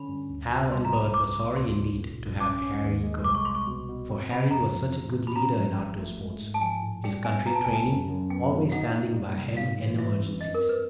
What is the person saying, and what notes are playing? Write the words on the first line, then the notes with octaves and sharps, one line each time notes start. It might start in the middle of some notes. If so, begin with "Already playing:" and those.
Hal and Bert were sorry, indeed, to have Harry go, for Harry was such a good leader in outdoor sports, his country training always standing by him in emergencies.
Already playing: D3 C#4 B5
G2
D2
C3
G3 C6
A#5
C2 B5
C2 D6
C2
D2 C6
C#3
A#2
B1
C#4 D6
C#4
D#2
G#3
C2 D6
C#6
C2 C6
C#6
B2
B2
C4
C#3 B5
F2 A#5
F2
E3
A2
B5
C#4 A#5
F3
G#1
A3
G#3
G#2
A5
F3 G#5
A2
G3 G5
B3 G#5
B3 A#5
A5
C#2 G#5
A5
F#2
F#2
B3 G5
B2
D#4 F#5
A#3
G3
C3
G#2 F5
E3
E3 E5
C4
G2 D#5
A#4
G2
B4